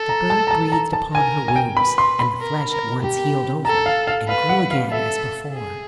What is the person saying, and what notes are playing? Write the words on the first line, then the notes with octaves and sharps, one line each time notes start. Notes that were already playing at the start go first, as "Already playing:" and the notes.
The bird breathed upon her wounds; and the flesh at once healed over, and grew again as before.
Already playing: A4
A#5
A5
A#5
A5
A#5
A5
A#4 G#5
G#5
G5
B4 B5
C6
B5
A#4
A#4
G4
A4 A#5
F5
F5
B4 F5
F#5
F5
A4 E5
G#4